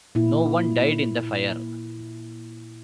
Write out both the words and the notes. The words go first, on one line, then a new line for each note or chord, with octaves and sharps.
No one died in the fire.
A#2 E4